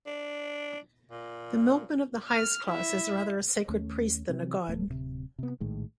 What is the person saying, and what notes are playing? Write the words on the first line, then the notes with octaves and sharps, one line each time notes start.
The milkman of the highest class is rather a sacred priest than a god.
D4
A#2
F6
E4 E5
D#2 A3 C#4
C3 E3 F#3 C4
D1 A3 B3
D1 C3
C3 B3
A#1 A2 D#3 G#3